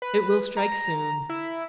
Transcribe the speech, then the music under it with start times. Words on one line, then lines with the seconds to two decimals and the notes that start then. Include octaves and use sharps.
It will strike soon.
0.02 B4
0.57 A#5
1.29 E4